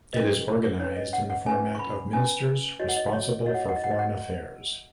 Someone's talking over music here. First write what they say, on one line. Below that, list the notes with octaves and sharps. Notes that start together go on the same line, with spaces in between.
It is organised in the format of ministers responsible for foreign affairs.
C#4 B4 D#5
C#4 B4 C#5
D#5
F#5
F#5
C#4 B4 G#5
C#6
B5
C#4 B4 G#5
F#4 C#5 D#5
F#5
D#5
C#5
F#4 C#5 D#5
F#5
D#5
F#5
D#5
F#5
D#5
F#5